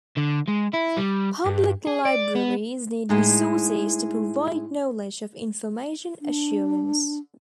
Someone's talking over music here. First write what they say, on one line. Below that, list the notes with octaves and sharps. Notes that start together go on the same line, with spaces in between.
Public libraries need resources to provide knowledge of information assurance.
D3
G#3
E4
G3
G2
G#4
D5
B3
A2 G#3 D#4
D4